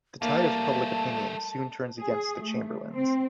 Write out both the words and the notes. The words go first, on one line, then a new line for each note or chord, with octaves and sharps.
The tide of public opinion soon turns against the Chamberlains.
G3 A3 A#3 A5
G#4
A3
C4